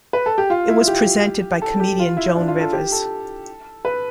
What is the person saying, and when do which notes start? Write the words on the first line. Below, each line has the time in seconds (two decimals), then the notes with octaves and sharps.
It was presented by comedian Joan Rivers.
0.13 B4
0.26 A4
0.38 G4
0.50 F4
0.68 E4
0.88 G4
1.62 A4
1.80 G4
1.99 F4
2.17 E4
2.36 D4
2.48 F4
2.61 A4
2.73 G4
2.92 A4
3.85 B4